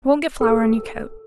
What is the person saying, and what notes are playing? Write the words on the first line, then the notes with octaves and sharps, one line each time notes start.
I won't get flour on your coat.
A4